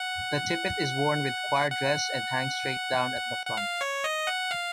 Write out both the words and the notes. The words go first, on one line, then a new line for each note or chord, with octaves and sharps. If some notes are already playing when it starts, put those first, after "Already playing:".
The tippet is worn with choir dress and hangs straight down at the front.
Already playing: F#5
F#5
F#5
F5
C#5
D#5
F#5
F5